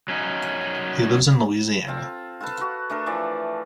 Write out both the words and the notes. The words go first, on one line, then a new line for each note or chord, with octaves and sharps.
He lives in Louisiana.
F#3 C#4 D#4
C4 F4 A4
F4 A4 B4 A5
F#4
A3 D4 A4 A#4
E3 F3 D5